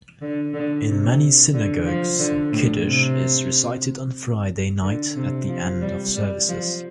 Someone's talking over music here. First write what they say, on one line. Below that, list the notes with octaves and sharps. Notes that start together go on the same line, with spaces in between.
In many synagogues, "kiddush" is recited on Friday night at the end of services.
D3
D3
C3
D3
F3
D3
A2
C3
D3
C3
F3
G3
G3
F3